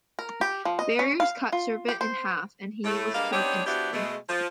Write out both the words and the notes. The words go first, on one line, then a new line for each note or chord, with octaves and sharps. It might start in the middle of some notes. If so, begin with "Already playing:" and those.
The barriers cut Cevert in half and he was killed instantly.
A#4
G4
F3
D#5
C#4
F5
F4
G4
C5
A2 A3
G2 G3 G#3 A#3 F5
B3 C4 D4 D#4 G4 C#5
F3 B3 D4 E4 F#4 G4
B2 G#3 A3
F3